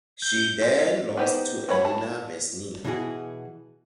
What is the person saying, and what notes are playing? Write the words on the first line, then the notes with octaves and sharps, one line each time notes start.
She then lost to Elena Vesnina.
G6
G#3
B3 D#4 G4 B4 C5
F#3 A3 C#5 B5
A5
B2 E3 E4 F#4 G#4